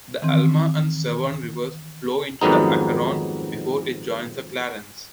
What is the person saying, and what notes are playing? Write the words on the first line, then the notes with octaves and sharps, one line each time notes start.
The Alma and Severn Rivers flow into the Acheron before it joins the Clarence.
D#3 E3 C4
F2 G#2 D#3 F#3 B3 D#4